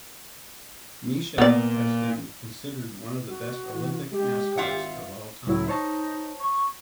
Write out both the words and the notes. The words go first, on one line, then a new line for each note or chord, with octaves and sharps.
Misha has been considered one of the best Olympic mascots of all time.
A#2 B3 D5
F#4
E3
G#3 G4
G#1 F4 E5 F#5
C#2 A2 F#3 E4
D#4 C5 C#5 A5
C#6